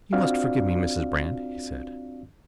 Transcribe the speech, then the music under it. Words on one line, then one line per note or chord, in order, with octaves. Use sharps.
"You must forgive me, Mrs. Brand," he said.
C4 D4 F4 F#4 D5 F5